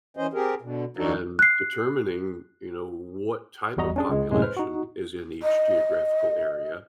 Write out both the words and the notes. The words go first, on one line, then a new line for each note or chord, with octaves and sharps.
and determining, you know, w what type of population is in each geographical area,
E3 C#4 C5 D#5
C4 G4 G#4 A#4
B2 D3
D#2 E3 D4 D#4 F#4 A4
F#6 C7
G#1 E2 G3 F#4 D#5 A#5
C#4 D4 G#4
C#2 G#3
F#2 A2 C3 G#3
B4 C5 F6
D#4 F#4
D#5